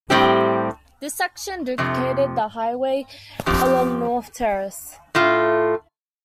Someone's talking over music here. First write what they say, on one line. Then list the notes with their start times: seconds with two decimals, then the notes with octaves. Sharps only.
This section duplicated the highway along North Terrace.
0.10 A2 G3 C4 G4
1.78 F2 C3 F3
3.46 F2 F3 C4 G4
5.15 A2 A3 F4